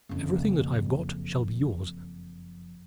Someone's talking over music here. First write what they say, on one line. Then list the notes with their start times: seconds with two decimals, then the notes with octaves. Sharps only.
Everything that I've got shall be yours.
0.09 F#1 F2